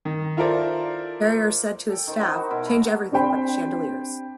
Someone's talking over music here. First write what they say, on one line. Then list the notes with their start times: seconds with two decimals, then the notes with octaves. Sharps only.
Perrier said to his staff, Change everything but the chandeliers.
0.05 D#3
0.37 E4 F4 A4 A#4 C5 D5
1.89 A4 G5
2.07 D#3 C5
2.20 D#4 E4 F#4 C5
2.38 F#4
2.50 B2 E4 A#4
2.63 A4 A#5
3.12 C4 D4 G4 C5 G5 B5